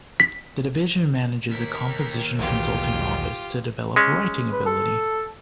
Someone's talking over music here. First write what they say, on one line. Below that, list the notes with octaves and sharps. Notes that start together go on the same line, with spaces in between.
The division manages a composition-consulting office to develop writing ability.
B6
D#2 A#4 B6
B1 E2 F4 G4
G#3 C#4
B4
A4